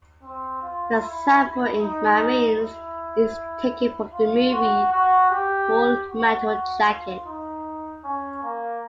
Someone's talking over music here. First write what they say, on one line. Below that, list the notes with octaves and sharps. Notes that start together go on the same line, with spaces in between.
The sample in "Marines" is taken from the movie "Full Metal Jacket".
C4
F4
E4
D#4
E4
F4
F#4
F#4
G4
F#4
F4
D#4
C#4
A#3